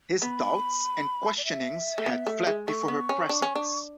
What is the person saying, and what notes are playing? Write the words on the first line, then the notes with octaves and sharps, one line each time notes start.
His doubts and questionings had fled before her presence.
B3 B5
D5
E5
A3
B3
A3
G#3
A3 C#6
B3
C#4
D4
C#4
D4